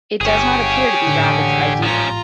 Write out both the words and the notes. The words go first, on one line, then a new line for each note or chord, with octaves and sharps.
It does not appear to be ravaged by deer.
G1 G4 G#4 C#5 G#5
A1 F2 G#2 D3
F3 C#4 F4 A#5